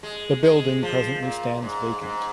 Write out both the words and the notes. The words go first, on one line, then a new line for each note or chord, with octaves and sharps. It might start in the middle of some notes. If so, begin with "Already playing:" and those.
The building presently stands vacant.
G#3
G#3
F3
A#2
G#2
G#2